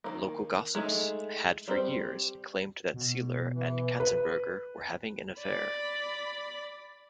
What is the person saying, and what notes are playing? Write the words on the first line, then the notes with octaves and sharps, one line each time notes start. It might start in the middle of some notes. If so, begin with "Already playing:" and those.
Local gossips had for years claimed that Seiler and Katzenberger were having an affair.
D#3 G3 A#3
G#3 A3 D#4
G3 C4 C5
B2
E3
B4
D5 B5